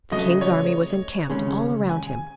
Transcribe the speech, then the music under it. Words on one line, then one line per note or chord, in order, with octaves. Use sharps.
The king's army was encamped all around him.
C#3 F#3 A3 D#5
C#5
D#2 C#3 G#3 C#4
G#5